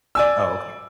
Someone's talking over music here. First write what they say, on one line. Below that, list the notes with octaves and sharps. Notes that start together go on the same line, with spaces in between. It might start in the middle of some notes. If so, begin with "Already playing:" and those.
Oh, okay.
D5 G#5 E6